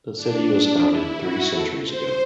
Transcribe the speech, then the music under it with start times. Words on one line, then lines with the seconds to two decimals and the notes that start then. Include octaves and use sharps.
The city was founded three centuries ago.
0.16 D4
0.84 E4
1.17 F#4
1.51 A4
1.86 C5